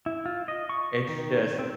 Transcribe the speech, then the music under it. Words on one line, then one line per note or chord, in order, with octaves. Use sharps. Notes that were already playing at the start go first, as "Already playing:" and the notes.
it's just
E4
F4
D#5
C#6
D#3
C4